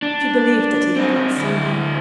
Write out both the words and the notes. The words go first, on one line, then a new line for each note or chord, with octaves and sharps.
She believed that he had not seen her.
D4
C4 D#4
D2 E4